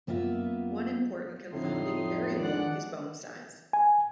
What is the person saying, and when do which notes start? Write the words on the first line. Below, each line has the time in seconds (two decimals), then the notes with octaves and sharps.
One important confounding variable is bone size.
0.07 F#2 A#3 B3 F4 E5
1.53 F2 A2 D3 C4 D#4 C6
1.84 F2 D#6
2.39 D#3 G#3 D4 D5 F#5
3.73 G#5